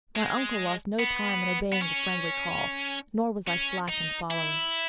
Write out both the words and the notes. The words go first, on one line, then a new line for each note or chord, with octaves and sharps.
My uncle lost no time in obeying the friendly call, nor was I slack in following.
G#3
B3
B3
C#4
C#4
D#4
E4